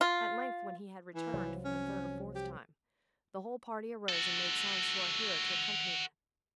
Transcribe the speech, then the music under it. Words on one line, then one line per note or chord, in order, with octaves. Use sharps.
At length, when he had returned for the third or fourth time, the whole party arose and made signs to our hero to accompany them.
F4
E3
C2 F3 F#3
C#4
G4
F#4 A4